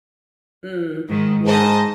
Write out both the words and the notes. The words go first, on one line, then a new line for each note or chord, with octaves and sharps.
Mm. Yeah.
G#2 D#3
G#2 C5 D#5 A5